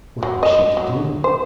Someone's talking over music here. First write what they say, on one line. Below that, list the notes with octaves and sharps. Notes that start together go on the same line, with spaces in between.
What was she to do?
F#3
D#5
F#3
C5